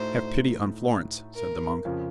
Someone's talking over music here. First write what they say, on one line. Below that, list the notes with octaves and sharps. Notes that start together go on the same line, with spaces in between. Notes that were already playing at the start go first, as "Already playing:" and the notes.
"Have pity on Florence," said the monk.
Already playing: A2 A3 D#4 F#4 C5
A#4
F2 C#3 F3